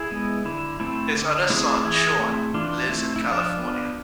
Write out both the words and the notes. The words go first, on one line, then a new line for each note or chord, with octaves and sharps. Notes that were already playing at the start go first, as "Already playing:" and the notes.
His other son Sean lives in California.
Already playing: E4 G#4
G#3 B3
D3 E4
A3 C4 E4
D3
A3 C4 E4 G#4
E3 E4 G#4
A3 C4
E3 D4 F4
A3 C4 E4
E4
F3 D4 F4
B3